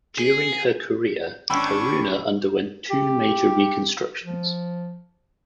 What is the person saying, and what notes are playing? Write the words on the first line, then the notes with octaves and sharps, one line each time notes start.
During her career, "Haruna" underwent two major reconstructions.
G#4
G#1 C#4 D4 G5 B5 C#6 E6
G4
F3